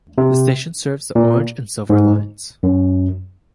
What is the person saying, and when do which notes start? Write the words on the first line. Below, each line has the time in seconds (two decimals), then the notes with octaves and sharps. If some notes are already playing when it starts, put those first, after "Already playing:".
The station serves the Orange and Silver Lines.
0.18 C3
1.15 A#2
1.90 G#2
2.63 F#2